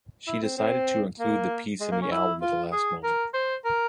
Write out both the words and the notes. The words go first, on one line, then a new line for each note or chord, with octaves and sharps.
She decided to include the piece in the album at the last moment.
E4
C4
C4
A#3
G#3
A#3
C#4
E4
F4
G#4
A#4
C5
A#4